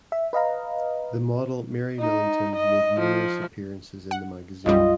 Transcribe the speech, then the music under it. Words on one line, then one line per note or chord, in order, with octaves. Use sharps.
The model Mary Millington made numerous appearances in the magazine.
E5
B4 D#5 F5 A#5
D#4
D#5
F3
F#5
B1 F#2 G3 F4 D#5